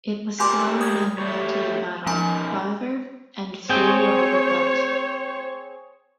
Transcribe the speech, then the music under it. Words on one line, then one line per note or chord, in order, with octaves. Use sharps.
It was slow and unwieldy in battle, however, and few were ever built.
G4 A#4 D5 G#5 C6 D6
D#6 G#6
A3 G4 C#5
F3 C#4 D#4 A#4 G#5
C4 G#4 C5 C#5 G5